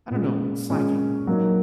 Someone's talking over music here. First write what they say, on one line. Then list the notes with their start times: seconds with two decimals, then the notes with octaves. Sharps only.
I don't know, slacking,
0.10 A#2 G#3 C#4
0.69 A#2 G#3 C#4
1.27 F#3 A#3 D#4